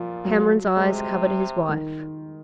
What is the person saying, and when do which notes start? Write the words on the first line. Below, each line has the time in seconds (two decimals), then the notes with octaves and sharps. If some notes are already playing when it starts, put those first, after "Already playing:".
Cameron's eyes covered his wife.
Already playing: A#2 F3
0.25 F#3
0.76 C3 G#3
1.69 D#3